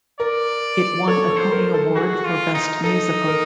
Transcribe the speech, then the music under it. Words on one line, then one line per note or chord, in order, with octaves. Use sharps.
It won a Tony Award for Best Musical.
A#4 D5
A4 C#5
A4
C5
A#4
A4
F#4 G#4
F4
D#4
D#4 A4
A#4